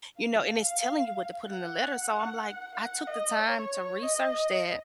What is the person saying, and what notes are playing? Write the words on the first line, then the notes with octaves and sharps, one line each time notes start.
You know, and it's telling you what to put in the letter, so, I'm like I took the time to research that,
F5
F#5
F#5
D#5
C#5
D#5